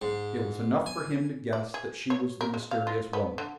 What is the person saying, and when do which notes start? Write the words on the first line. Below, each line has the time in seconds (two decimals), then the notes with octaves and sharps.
It was enough for him to guess that she was the mysterious woman.
0.02 G#2
0.86 G#5
1.53 D5
1.74 G#4
2.10 C#5
2.41 A#4
2.54 G#3
2.71 F5
2.87 F4
3.13 B3
3.38 D3